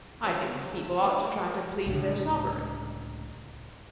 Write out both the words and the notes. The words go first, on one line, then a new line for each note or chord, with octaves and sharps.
"I think the people ought to try to please their sovereign."
E3 G3 A3 C4 C#4 F4
C#3 B3
D#3 F#3
A5
A3 D4 A#4 B4 C#5 G5
A#4
C#2 A2 D3